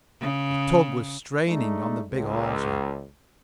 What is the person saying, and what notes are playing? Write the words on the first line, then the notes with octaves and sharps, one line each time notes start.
The tug was straining on the big hawser.
C#3
G#3 A3 D4 D#4
C#2